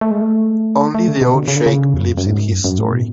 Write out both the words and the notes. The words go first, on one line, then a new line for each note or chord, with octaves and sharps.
Only the old sheikh believes in his story.
A3
G#3
A3
A3
D3
B2
D3
C#3
D3
C#3
E2
F#2
F#2
G#2
F#2
F#2
A2
B2